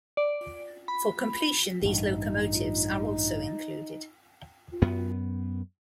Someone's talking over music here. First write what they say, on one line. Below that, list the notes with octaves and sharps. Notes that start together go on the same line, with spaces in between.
For completion these locomotives are also included.
D5
B5
A1 G2 D#4
F#2 B3